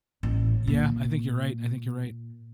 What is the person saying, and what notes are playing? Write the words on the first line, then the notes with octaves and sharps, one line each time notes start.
Yeah, I think you're right, I think you're right.
A1
A#2